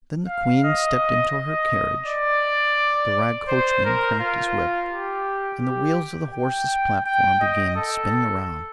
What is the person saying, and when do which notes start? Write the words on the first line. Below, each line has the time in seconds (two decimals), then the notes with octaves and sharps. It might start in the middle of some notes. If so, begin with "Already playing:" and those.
Then the Queen stepped into her carriage, the rag coachman cracked his whip, and the wheels of the horses' platform began spinning around.
0.28 F5
0.64 D#5
1.35 D#5
2.06 D5
3.48 C5
3.85 A#4
4.20 F4
4.91 G4
5.63 G4
6.34 G5
7.05 G5
7.41 D#5
7.76 A4